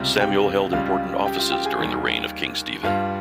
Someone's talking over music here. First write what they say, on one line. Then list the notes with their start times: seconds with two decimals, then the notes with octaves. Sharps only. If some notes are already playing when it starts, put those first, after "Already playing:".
Samuel held important offices during the reign of King Stephen.
Already playing: C#2 C3 G3 F4 F5
0.21 G4 G5
0.73 C#2 C#3 G3 F4 F5
1.26 G4 G5
1.39 F4 F5
1.52 G4 G5
1.65 G#4 G#5
1.78 D#2 D#3 G3
2.83 G2 G3 F4 F5